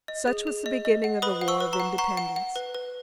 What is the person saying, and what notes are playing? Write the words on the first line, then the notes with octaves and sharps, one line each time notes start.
Such was the beginning of the war of independence.
D#5
G#4
G#4
D#5
D#5
F#5
B4 B5 D#6
F#5
C#6 E6
B4
A#5 C#6
F#5
F#5 A#5 C#6
F#5
F#5
B4
B4